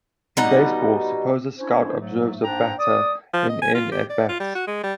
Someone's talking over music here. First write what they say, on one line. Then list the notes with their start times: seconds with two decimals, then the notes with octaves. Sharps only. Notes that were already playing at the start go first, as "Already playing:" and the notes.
In baseball, suppose a scout observes a batter in "N" at-bats.
0.37 B2 G3 D#4 F#5
1.58 C#4 D4 E4 C5
1.99 G#2 F#3 A3
2.43 G#2 A#3 D4 C5 G5 A#5
2.79 D5 D#6
3.34 F3
3.49 D#5
3.62 G#5
3.75 F4
3.92 G4
4.10 D5
4.29 F4
4.40 G3
4.55 F#4
4.67 G#3
4.84 G3